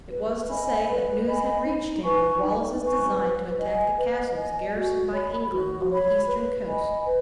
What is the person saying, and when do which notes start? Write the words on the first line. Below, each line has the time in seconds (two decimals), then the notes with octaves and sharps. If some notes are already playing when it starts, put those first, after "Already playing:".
It was to say, that news had reached him of Wallace's design to attack the castles garrisoned by England, on the eastern coast.
0.11 B4
0.49 D#5 G#5 B5
0.88 B4
1.26 D#5 G#5 B5
1.65 D#4
2.04 B4 G#5 C#6
2.43 D#4
2.81 B4 G#5 C#6
3.20 B4
3.58 D#5 G#5
3.97 B4
4.36 D#5 G#5
4.74 F#4
5.13 C#5 B5
5.51 F#4
5.90 C#5 B5
6.28 B4
6.67 D#5 G#5 B5
7.06 B4